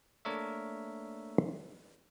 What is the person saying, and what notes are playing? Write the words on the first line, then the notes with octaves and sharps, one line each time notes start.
The "Edmonton Journal" noted Porritt had represented the Mackenzie District in the legislature.
A3 A#3 D4 A#4 C#5 E5